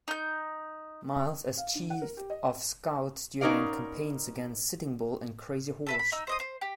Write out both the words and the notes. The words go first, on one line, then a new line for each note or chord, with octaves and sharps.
Miles as chief of scouts during campaigns against Sitting Bull and Crazy Horse.
D#4 G6
F5
D3
F#5
A#4
G4
D#5
B3 C#4 D#4 A#4 D5 F5
A4 B4 E5
B5
D#4 E6
C5 D#5 D#6
C5
G4